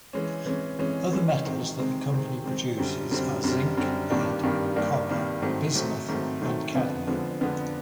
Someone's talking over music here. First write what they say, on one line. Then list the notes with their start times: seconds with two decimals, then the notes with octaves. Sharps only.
Other metals that the company produces are zinc, lead, copper, bismuth, and cadmium.
0.13 E3 G#3 C#4
0.46 E3 G#3 C#4
0.79 E3 G#3 C#4
1.12 E3 G#3 C#4
1.45 C3 D#3 G#3 C4
1.78 C3 D#3 G#3 C4
2.11 C3 D#3 G#3 C4
2.44 C3 D#3 G#3 C4
2.78 F#2 D3 G3 C4
3.11 F#2 D3 G3 C4
3.44 F#2 D3 G3 C4
3.77 F#2 D3 G3 C4
4.10 G2 D#3 G3 A#3 D4
4.43 G2 D#3 G3 A#3 D4
4.76 G2 D#3 G3 A#3 D4
5.09 G2 D#3 G3 A#3 D4
5.42 G#2 D#3 F#3 A3 C4
5.75 G#2 D#3 F#3 A3 C4
6.08 G#2 D#3 F#3 A3 C4
6.41 G#2 D#3 F#3 A3 C4
6.74 F2 D3 F3 G#3 B3
7.07 F2 D3 F3 G#3 B3
7.41 F2 D3 F3 G#3 B3